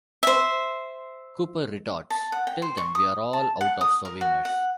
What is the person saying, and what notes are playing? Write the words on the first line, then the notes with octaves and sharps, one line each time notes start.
Cooper retorts: "Tell them we're all out of souvenirs".
C5 E5
A5
F#5
G5
C5
C#6
D#6
A5
F#5
D#6
A#4
F#4
F#5